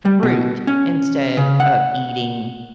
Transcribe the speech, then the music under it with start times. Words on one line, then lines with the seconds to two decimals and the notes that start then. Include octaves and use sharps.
fruit instead of eating
0.05 G3
0.23 B2
0.67 C#4
1.37 C#3
1.60 F#5